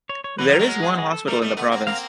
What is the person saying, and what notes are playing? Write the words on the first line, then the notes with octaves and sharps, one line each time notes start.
There is one hospital in the province.
C#5
C#5
E3 F#3 B4
F3 G3
A#4
F#3 G#3
A#4
G#4
G#4
A4
G3 A3 A#4
G3 A3 D#5
A3 B3
A#3 C4
A#3 C4 F5